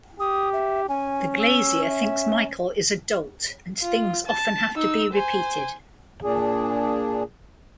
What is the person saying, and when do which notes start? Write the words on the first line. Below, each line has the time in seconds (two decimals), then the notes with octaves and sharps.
The glazier thinks Michel is a dolt, and things often have to be repeated.
0.20 G4 D#6
0.53 E5
0.89 C#4 G#5
1.40 E6
1.89 E5
3.82 F4
4.26 A5
4.76 D#4 E6
5.13 C5 G#5
6.23 A#2 D4 G#4